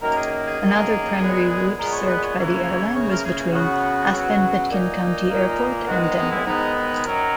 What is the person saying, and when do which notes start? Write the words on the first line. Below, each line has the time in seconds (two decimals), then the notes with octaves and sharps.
Another primary route served by the airline was between Aspen-Pitkin County Airport and Denver.
0.02 F#2 D#3 A#3 A#4
0.17 G#4
0.46 G#4
0.61 F#2 D#3 A#3 G#4
1.19 A#2 G#3 B3
1.78 A#2 G#3 B3 A#4
1.92 C#5
2.07 B4
2.22 C#5
2.37 C#3 E3 A#3
2.94 C#3 E3 A#3 C#5
3.10 A#4
3.24 G#4
3.53 C#3 F#3 B3 F#4
4.11 C#3 F#3 B3
4.70 A#2 A#3 D#4
5.29 A#2 A#3
5.87 G#2 D#3 G#3 B3 F#4
6.02 D#4
6.17 D#4
6.31 E4
6.45 G#2 D#3 G#3 B3 D#4
6.76 D#4
7.05 F#2 D#3 F#3 A#4